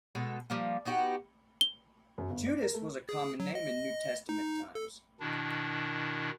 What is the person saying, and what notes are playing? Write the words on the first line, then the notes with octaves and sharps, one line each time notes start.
Judas was a common name in New Testament times.
B2 G#3 A4
F3 G3 A#3
B3 D#4 F#4 G4
G7
F#2
G1
D5
A#4
A3
G#4
F#3
D#5
D#4
A4
B2 D#3 D4 E4